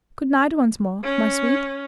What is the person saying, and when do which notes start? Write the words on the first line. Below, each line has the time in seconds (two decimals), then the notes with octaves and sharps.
Good-night once more, my sweet.'
1.04 C#4